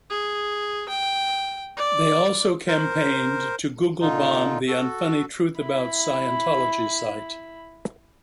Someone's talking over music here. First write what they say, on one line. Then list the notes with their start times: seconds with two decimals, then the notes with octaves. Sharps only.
They also campaigned to Google bomb "The Unfunny Truth About Scientology" site.
0.10 G#4
0.89 G5
1.77 D5
2.68 A#4 C5
4.01 A#2 D3 D#4 F4
4.68 F#4 A4
5.60 E4 B5